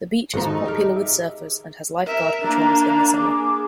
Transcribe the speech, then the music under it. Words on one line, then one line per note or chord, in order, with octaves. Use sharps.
The beach is popular with surfers and has lifeguard patrols in the summer.
G#1 A#2 F3 F#4 G#4 A4 A#5
D#4 A5
G4 A#4
E5
A#4 E5
A#3 D4 A#5
G#4 D6